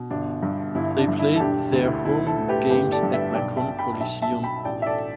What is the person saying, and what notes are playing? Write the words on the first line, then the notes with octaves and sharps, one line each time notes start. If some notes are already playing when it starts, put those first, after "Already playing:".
They played their home games at Macon Coliseum.
Already playing: B2
G1 D4
G2
G1 E4
D4
G2
E4
A4
E1 D4 G4
D2
E4
B1 E4
E4 A4
A2
G4 B4
G1 G4 B4
A4 D5
G2
B4 E5
B1 D5 G5
E5 A5
B2
G5 B5
B1 E5 A5
E5 A5
B2
G5 B5
A1 D5 G5
E5
A4 D5